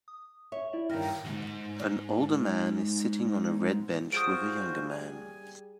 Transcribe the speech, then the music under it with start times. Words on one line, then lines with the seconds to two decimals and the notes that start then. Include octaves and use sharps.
An older man is sitting on a red bench with a younger man.
0.08 D#6
0.52 C#5 E5
0.73 E4 D5 E5
0.89 G2 D#3 F6 A#6
1.24 D2 G#2
4.12 G3 F4 F#4 G#4 C5 D#6 D7
4.89 G#5